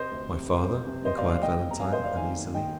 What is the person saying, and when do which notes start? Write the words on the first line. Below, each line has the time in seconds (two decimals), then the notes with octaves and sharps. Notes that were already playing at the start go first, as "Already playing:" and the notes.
"My father?" inquired Valentine, uneasily.
Already playing: C3 C5 D#5
0.11 D2
0.31 C3
0.49 C3
0.68 C3
0.87 C3
1.04 C3 C5 D#5
1.18 D5 F5
1.23 D2
1.29 D5 F5
1.42 F1 D#5 G5
1.61 F1
1.71 A#5
1.79 F1 F5 G#5
1.92 C5 D#5
1.98 F1
2.04 D5 F5
2.16 D#3 F5 G#5
2.36 D#2
2.54 D#3 D#5 G5